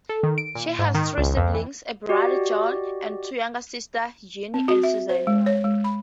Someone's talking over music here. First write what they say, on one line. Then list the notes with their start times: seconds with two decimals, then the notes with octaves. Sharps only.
She has three siblings: a brother, John, and two younger sisters, Jeanne and Susan.
0.09 A4
0.23 D#3
0.38 D7
0.55 A#2
0.79 G#2
0.95 D#3
1.18 C#2
1.37 F2
1.54 E3
2.09 F#4 G4 D5 D#5
4.54 C4
4.68 F#4
4.83 E5
5.09 C5
5.27 G#3
5.46 C#5
5.64 G#3
5.84 B5